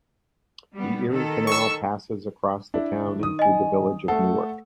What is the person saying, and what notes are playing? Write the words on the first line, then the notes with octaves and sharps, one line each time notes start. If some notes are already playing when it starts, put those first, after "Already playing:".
The Erie Canal passes across the town and through the Village of Newark.
G3 B3
D#3 A4
C#6 E6
D4 E4
D#3 D#6
D#5 G#5
A3 A4 F#5